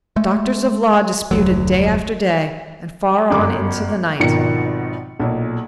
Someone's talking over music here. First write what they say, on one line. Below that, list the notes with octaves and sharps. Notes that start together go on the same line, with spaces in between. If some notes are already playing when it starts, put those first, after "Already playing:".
Doctors of law disputed day after day, and far on into the night.
G#3 A3
F1 D2 F#3
G1 F#2 D6
G#1 B2 D#3 F3 C#7
B1 A#2